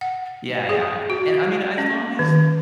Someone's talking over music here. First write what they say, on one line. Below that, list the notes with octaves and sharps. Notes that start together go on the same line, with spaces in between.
Yeah, yeah. And, I mean, as long as
F#5
G#4
F#4
C#4
D#3